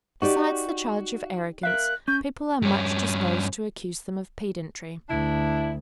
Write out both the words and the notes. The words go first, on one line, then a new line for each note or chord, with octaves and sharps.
Besides the charge of arrogance, people are much disposed to accuse them of pedantry.
D#4 F#4 G4 D5
A#4 E5 F5 F#6
C#4 G6
G2 C#4
D2 D4 E4